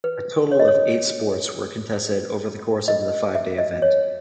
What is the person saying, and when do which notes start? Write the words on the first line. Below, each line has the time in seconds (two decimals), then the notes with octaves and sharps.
A total of eight sports were contested over the course of the five-day event.
0.04 B4
0.52 C#5
0.60 D#5
0.68 C#5
2.88 D#5
3.35 E5
3.58 D#5
3.82 C#5